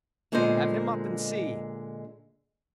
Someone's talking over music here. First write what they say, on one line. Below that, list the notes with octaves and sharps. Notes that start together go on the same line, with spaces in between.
"Have him up and see...."
A#2 D3 G#3 B3 C5 D#5